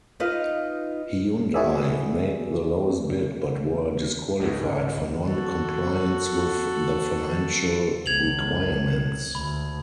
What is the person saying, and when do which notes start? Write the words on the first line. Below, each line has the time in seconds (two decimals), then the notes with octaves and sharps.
Hyundai made the lowest bid but were disqualified for non-compliance with the financial requirements.
0.20 D#4 F4 B4 D#5 F5
1.54 E4 F#4 G#4 D5 E5
4.39 C#2 G#2
5.26 F#4 A4
8.06 C#2 G#6 F7 F#7
9.35 D2 B5